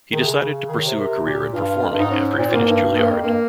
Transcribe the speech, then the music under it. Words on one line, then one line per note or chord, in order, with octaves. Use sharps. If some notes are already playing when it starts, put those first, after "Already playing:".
He decided to pursue a career in performing after he finished Juilliard.
D#3 G#4
C3
C#3
C#3
D#3 G#4
C#5
C3
C5
C3 A#4
A#2 G4
G2 F4
F2
G2
G#2 D#4
C#4
A#2 C4
G#2 A#3
G2
G2 A#3
F2
G2 A#3